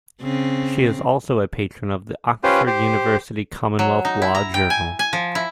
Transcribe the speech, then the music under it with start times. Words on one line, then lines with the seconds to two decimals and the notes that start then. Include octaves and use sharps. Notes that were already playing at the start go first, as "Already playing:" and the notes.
She is also a patron of the Oxford University Commonwealth Law Journal.
0.22 C#3 C4
2.44 C#4 F4 G4 B4 C5
2.67 G4 C5
3.79 F#3
4.05 D#4
4.22 E4
4.35 A#5
4.54 G5
4.70 G#5
4.99 G#5
5.13 F3
5.35 E4